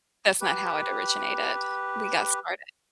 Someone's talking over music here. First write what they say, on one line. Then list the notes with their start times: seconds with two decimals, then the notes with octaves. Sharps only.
That's not how it originated. We got started.
0.41 G4 B4